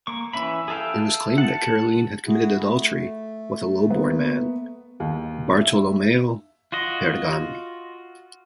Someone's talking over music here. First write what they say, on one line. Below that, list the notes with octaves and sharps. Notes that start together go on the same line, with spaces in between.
It was claimed that Caroline had committed adultery with a low-born man: Bartolomeo Pergami.
A#3 C#6
E3 C#4 E5 B5
G#4 A4 E5 F5 G5
F#5 A5
E4 F#4 G#4
A3
A#3 B3
D#2
E5
F4 F#4 D#5